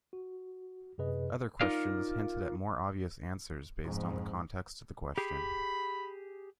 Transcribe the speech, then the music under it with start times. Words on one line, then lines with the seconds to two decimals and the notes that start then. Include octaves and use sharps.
Other questions hinted at more obvious answers based on the context of the question.
0.13 F#4
0.98 F#2 C3 G#4 B4 D#5
1.61 D#4 F4 A#4 D5 F5
3.83 F2 G#2
5.18 G4 G#4 B5